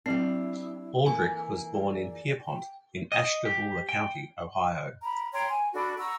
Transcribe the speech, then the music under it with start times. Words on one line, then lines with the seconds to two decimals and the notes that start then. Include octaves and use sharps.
Aldrich was born in Pierpont in Ashtabula County, Ohio.
0.06 F#3 C4 D4 E4 G4 C7
1.06 E3 A#3 A4 E5 G#5
1.74 G#4 D5
2.44 G5
3.12 D#5
3.45 G4
3.89 G5
5.03 A#5 B5
5.32 C#5 G5 A#5 C6
5.49 G#5
5.74 D4 F#4 A4 B5
5.98 F#5 A#5 C#6 E6